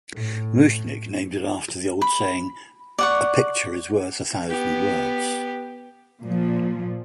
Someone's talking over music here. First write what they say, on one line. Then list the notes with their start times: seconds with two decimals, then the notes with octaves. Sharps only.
Muchnick named it after the old saying "a picture is worth a thousand words".
0.14 A2
2.01 B5
2.99 D5 F#5 C#6
4.50 B3 G4
6.21 A#2 F3